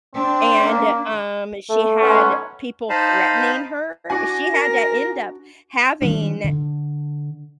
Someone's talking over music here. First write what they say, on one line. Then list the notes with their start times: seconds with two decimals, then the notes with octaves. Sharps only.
And, um, she had people threatening her. She had to end up having
0.15 C4 D4
0.65 A#3
1.69 A3
2.01 B1 B3 C#4
2.90 D#4 C5 D#5 F5 A5 B5
4.10 D4 F#4 G#5 D6 A#6
4.54 A#4
6.02 D#3 F3 G3 D4
6.44 D3